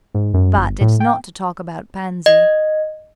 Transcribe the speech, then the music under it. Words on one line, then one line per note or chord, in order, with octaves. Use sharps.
"But it's not to talk about Pansy."
G#2
F#2
G1
A2
G5
D#5